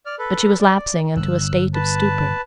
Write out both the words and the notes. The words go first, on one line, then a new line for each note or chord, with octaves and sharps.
But she was lapsing into a state of stupor.
D5 F6
A4 B4
D5
G1 E6 F#6
B4 A5